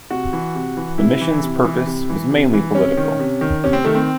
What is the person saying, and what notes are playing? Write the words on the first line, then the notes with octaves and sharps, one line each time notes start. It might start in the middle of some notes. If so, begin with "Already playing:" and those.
The mission's purpose was mainly political.
C3 F#4
E3
C3
E3
C3 E4
E3
C3
E3
C3
E3
C3
E3
C3 C#4
D#3
C3
D#3
C3 C#4
C4
D#3 A3
C4